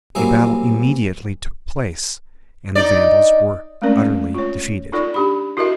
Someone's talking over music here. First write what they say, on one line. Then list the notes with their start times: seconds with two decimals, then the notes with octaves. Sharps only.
A battle immediately took place, and the Vandals were utterly defeated.
0.15 C2 E3 F#3 A#3 E5 F5
2.75 D#4 D5
3.82 G#3 A3 C4 C#4 A#4 D5
3.97 G#3
4.34 F4 C#5
4.92 D#4 F4 A4 D5
5.14 D4 G4 B5
5.57 E4 F#4 A4 A#4 D#5 E5